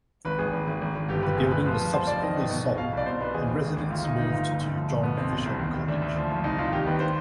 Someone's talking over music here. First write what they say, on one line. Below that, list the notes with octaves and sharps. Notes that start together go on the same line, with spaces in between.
The building was subsequently sold, and residents moved to John Fisher College.
G#1 B4
G#1 G#4
G#1
G#1
G#1
G#1
G1 G4
G1 B4
D2 G#4
D2 B4
F3
F1
F3 C5
F1 D5
D#3 D#5
G1
B2
B1
B2 F5
C2 D5
B2 C5
B1 B4
D#2 G#4
D#2
G#1
G#1
D2 F4
D2 D#4
G1 D#4
G1 F4
D2
D2
F3
G1
B2 B3
B1 C4
B2
C2
D#2
D#2
D2 D4
D2
F3
G#1
C2 D#4
C2 F4
D#3 G4
D#2 B4
C5